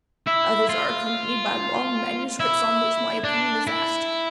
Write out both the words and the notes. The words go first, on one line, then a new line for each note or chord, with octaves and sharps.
Others are accompanied by long manuscripts on which my opinion is asked.
E4
F4
E4
D4
E4